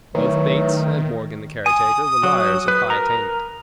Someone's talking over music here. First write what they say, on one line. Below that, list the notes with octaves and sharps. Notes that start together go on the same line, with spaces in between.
Both Bates and Morgan, the caretaker, were liars of high attainment.
D#3 E3 F#3 A3
G#5 D#6
F#3
B4
A#4 A#5